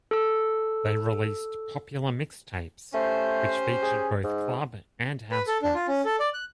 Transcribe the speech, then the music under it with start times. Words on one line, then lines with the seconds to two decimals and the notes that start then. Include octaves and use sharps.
They released popular mixtapes which featured both club and house tracks.
0.11 A4 E6
2.94 A3 C#4 G4 C5
3.82 G#4
4.24 G#2
5.31 B4
5.47 A4
5.62 D4
5.74 F4
5.88 C#4
6.05 A4
6.20 D5
6.34 F#6